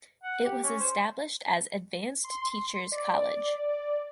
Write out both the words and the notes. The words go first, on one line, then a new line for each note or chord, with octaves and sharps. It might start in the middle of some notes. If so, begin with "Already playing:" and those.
It was established as Advanced Teachers’ College.
F#5
G4
C#4
C5
C6
D5